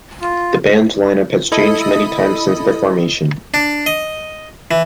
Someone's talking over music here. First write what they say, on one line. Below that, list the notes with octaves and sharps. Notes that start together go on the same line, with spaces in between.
The band's lineup has changed many times since their formation.
F4
E4 A4 D#5 B5 D#6
D4
D#5
E3